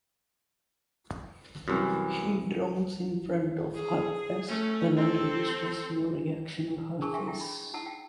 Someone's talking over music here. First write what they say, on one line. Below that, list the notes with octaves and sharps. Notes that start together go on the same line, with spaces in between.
He drowns in front of her as Ellen registers no reaction on her face.
C2 F#2 E3
G#4
A3 C#4
C4 A4
D4 G#4 A#4 A5 C#6 E6
E5 F5 G5 G#5 C6 C#6
E4 G5
B5
D#4 E4 F#5 A5 E6
G5